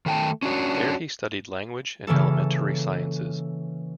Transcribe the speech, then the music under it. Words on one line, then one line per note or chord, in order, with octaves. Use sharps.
There he studied language and elementary sciences.
D#3 A3 G5 A5
C#4 D4 F#4 C#5
C#3 E3 A#3 A4